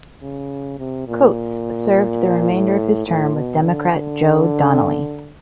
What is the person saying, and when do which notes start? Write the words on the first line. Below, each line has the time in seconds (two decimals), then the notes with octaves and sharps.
Coats served the remainder of his term with Democrat Joe Donnelly.
0.23 C#3
0.79 C3
1.08 A#2
2.50 A2
3.08 A2
3.35 B2
3.64 D3
3.92 D3